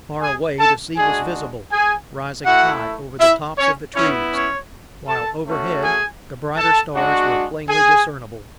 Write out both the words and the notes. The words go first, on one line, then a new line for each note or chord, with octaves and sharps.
Far away the sea was visible, rising high over the tops of the trees, while overhead the brighter stars were plainly discernible.
G#4 G#5
A4 A5
G#3 D4 F#4 G#4 G#5
G#4 G#5
A3 E4 F#4 F#5
E4 E5
C#4 C#5
B3 C#4 E4 C#5
C#4 C#5
A4 A5
A3 C#4 F#4
G#4 G#5
A4 A5
G#3 D4 F#4
G#4 G#5